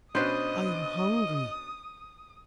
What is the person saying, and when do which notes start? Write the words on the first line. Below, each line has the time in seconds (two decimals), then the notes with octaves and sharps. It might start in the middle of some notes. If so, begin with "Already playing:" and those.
"I am hungry."
0.15 B2 C#4 D4 B4 C5 D#5 D#6